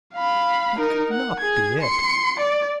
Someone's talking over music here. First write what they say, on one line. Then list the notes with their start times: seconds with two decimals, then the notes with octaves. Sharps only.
That could not be it.
0.15 F5 B5
0.79 D#4 A#4
1.11 F#5
1.40 G#4 G#6
1.82 C6 C#7
2.40 D5